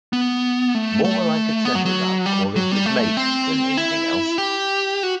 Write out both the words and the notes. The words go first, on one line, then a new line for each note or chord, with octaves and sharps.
More like a turtle dove calling to its mate than anything else.
B3
A3
A3
B3
F#3
F#3
G3
F#3
G3
A3
C4
E4
G4
F#4